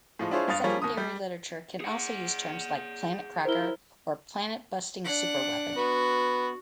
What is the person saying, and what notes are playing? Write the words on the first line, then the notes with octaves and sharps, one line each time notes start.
Secondary literature can also use terms like "planet-cracker" or "planet-busting superweapon".
A2 F3 G#3
D4 E4 F4 G#4 C5 C#5
G2 F5 D#6 A6 F7
F3 G3 A#3 G#4 C#5
D#2 D#6
G3 G6
G#4 F#5
E4 A#4 C5 G7
D4 F#5
B3 F#4